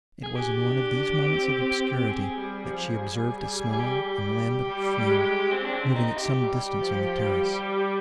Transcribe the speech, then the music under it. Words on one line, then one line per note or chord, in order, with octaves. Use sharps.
It was in one of these moments of obscurity, that she observed a small and lambent flame, moving at some distance on the terrace.
G#4
D4 G4
C4
G#4
G3
F3
G3
G#4
G4
G3
G#3
C4
D4
C4
D#4
G4
G3
F3
G3